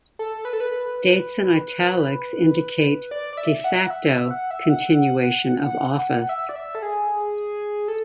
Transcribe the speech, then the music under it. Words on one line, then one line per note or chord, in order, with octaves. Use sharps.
Dates in italics indicate "de facto "continuation of office.
A4
B4
A4
B4
B4
D5
D5
E5
F#5
E5
E5
F#5
E5
F#5
E5
D5
E5
A4
G#4
A4